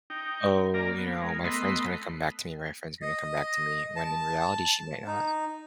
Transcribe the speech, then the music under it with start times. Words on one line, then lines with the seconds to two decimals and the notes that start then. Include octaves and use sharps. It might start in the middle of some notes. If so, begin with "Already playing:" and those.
"Oh, you know, my friend's gonna come back to me my friend's gonna come back to me," when in reality, she might not.
0.10 D#4 G5
0.74 A#3 D5 A#5
0.98 B3
1.22 G#3 A#4
1.44 A3 B3 D#5 B5 C6
3.02 D#5
3.96 A5
5.07 D#4